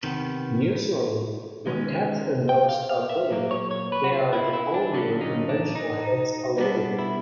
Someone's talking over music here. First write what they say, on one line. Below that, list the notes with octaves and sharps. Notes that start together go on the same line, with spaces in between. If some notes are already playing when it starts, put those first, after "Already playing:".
Usually, when cats and dogs are played, they are the only unconventional hands allowed.
C3 D#3 B3
D#3 G#3 C#4
G5
F5
F5
E5
A#2 F#3 A#3
C#5
C#5
B4
F#4
F4
E4
E4
D4
D3 F#3 A#3 C#4 D4
D#4
D4
D#4
B2 G3 B3 D4 D#4
E4